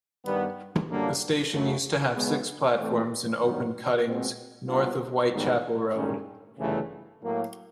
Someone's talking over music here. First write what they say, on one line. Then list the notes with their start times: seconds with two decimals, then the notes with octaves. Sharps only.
The station used to have six platforms in open cuttings north of Whitechapel Road.
0.26 G2 D#3 G3 B3
0.89 F#2 D3 G3 A#3 D4
1.52 F#2 C#3 F#3 A3
2.15 B1 B2 G#3 B3
2.79 A2 E3 A3 C4
3.42 G2 D#3 F#3 B3
4.06 B2 G#3 C4
4.68 B2 G3 B3 D4 F4
5.31 A1 G#2 D#3 G3 B3
5.94 G2 D#3 G#3 C#4
6.58 G1 F#2 C#3 E3 A3
7.21 A2 F#3 A#3